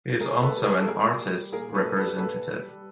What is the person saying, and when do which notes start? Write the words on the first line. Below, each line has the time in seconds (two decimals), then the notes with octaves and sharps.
He is also an artists representative.
0.21 A#2 G#4 A#4
0.37 A#2
0.42 A4 B4
0.54 G3
0.64 G#4 A#4
0.70 G3
0.81 A4
0.87 A#2 G#4 A#4
1.03 A#2
1.19 G3
1.35 G3
1.52 A#2 G#4 A#4
1.69 A#2
1.75 A4 B4
1.85 G3
1.97 A4 B4
2.02 G3
2.18 A#2 A4 B4
2.35 A#2
2.51 G3
2.67 G3